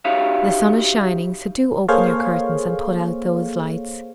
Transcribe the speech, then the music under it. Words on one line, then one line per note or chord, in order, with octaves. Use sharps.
The sun is shining; so do open your curtains and put out those lights.
D#4 F#4 G4 C#5 E5 F5
A#3 G#4 A4 C5 C#5 F5